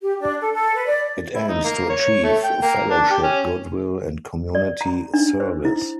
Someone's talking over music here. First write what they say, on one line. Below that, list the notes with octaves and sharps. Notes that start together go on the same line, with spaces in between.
It aims to achieve "Fellowship, Goodwill and Community Service".
G4
D4
A4
A4
B4
D5
E4
D#4
A#3
C#5
A3
G5
A#3
D4
G4
C#4
D5
A#5
D4
C5
E4